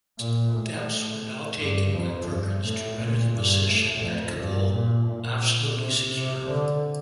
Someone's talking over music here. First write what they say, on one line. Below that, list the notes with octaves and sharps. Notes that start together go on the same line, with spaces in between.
Steps were now taken by Perkins to render the position at Kabul absolutely secure.
A#2
A2
G2
F2
G2
A2
A#2
G2
A2
F2
G2
A#2
A#2
C3
C3
D3